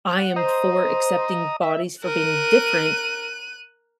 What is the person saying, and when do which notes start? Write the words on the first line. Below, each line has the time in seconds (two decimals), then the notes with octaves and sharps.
I am for accepting bodies for being different,
0.17 F#5
0.36 C5 D#5 A#5 D#6
1.61 E5
2.04 A#4 F#6 D#7